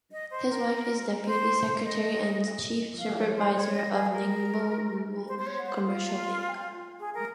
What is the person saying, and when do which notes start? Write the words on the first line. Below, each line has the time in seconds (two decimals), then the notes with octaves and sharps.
His wife is deputy secretary and chief supervisor of Ningbo Rural Commercial Bank.
0.12 D#5
0.31 C5
0.50 A#4
1.26 C5
1.84 D#5
2.99 F5
3.18 C#5
3.36 C5
3.57 C#5
3.75 D#5
3.94 G#4
4.13 A#4
5.28 C5
5.39 C5
5.47 C#5
5.66 C5
5.86 F4
7.00 G#4
7.14 A#4